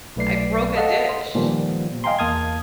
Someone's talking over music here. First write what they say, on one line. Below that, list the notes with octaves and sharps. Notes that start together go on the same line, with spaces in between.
I broke a dish.
B1 A3 B4 D5 C7
A4 D#5 F5 F#5 A5
C6
A#2 D#3 F3 G3 B3
D#5 F5 G5 G#5 A#5 C6
E2 A#3 A5 D#6 F6 G#6